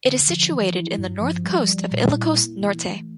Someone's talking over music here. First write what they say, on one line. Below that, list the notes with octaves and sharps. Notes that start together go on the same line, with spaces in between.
It is situated in the north coast of Ilocos Norte.
D3
F3
E3
E4
G2
F3
G3
G3
A#2
E4
A#3
E3
A3